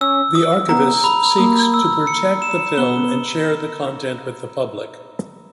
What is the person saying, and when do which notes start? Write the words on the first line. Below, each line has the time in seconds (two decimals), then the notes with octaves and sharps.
The archivist seeks to protect the film and share the content with the public.
0.01 C#4 E6
0.35 D#6
0.69 B3 A#5
1.04 B5
1.38 A#3 D#6
1.74 E6
2.07 C#7
2.42 E7
2.78 B3 G7